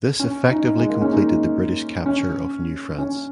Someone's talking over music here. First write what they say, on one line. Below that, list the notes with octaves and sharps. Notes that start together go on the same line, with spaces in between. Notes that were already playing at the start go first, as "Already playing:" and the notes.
This effectively completed the British capture of New France.
C#4
D#4
G#3
A#3
C#4
D#4
C#4
C#4